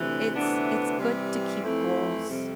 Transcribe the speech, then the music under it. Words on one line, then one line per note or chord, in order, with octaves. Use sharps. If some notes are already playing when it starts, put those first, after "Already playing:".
It's it's good to keep goals
Already playing: D2 C3 E3
D2 C3 E3 B3 D4
C3 E3 G3
F2 E3 A3 C4 E4
F2 C3 G3